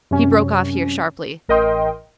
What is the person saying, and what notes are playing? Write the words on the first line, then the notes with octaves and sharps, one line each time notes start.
He broke off here, sharply.
F#2 C3 C#4
A1 A#4 D#5 G5 C6